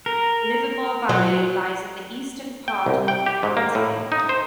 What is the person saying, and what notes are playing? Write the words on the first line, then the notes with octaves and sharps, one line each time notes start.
Livermore Valley lies in the eastern part of the county.
A#4
F#3
G5
C2
G5
G4
G#2
A#3
A2
D#4
C5